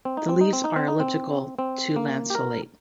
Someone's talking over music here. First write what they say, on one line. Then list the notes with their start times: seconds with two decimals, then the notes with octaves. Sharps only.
The leaves are elliptical to lanceolate.
0.05 C4
0.17 D#4
0.29 C4
0.41 D#4
0.53 C4
0.64 D#4
0.76 C4
0.88 D#4
1.00 C4
1.59 C4
1.96 A#3
2.30 G4
2.35 A#4